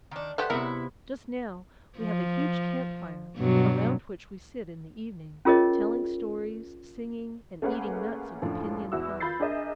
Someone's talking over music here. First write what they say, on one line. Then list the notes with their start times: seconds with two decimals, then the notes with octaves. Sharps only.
Just now we have a huge camp fire around which we sit in the evening, telling stories, singing, and eating nuts of the pinon pine.
0.11 D#3 D4
0.38 A3 B3 G4 C5 F5 F#5
0.50 C3 B3 E4 A#4 E5 F#5
1.98 F3
3.37 G2 B2 F#3
5.45 C#4 F4 G#4 A#4 C#5 D#5
7.62 A3 A#3 C#4 G#4 B4 F#5
8.42 F#2 A2 F3 D4
8.92 E2 E4 F#4 E6
9.20 F4 B5 G6 A6 C7
9.40 D4 G#4 A#4 D#5 E5